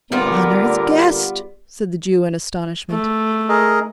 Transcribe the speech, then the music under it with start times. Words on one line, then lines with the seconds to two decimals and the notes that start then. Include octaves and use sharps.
"Your Honour has guessed?" said the Jew in astonishment.
0.12 A#2 D3 G3 B3 F4 A#4
2.90 A3
3.49 G#4 A#4 D#5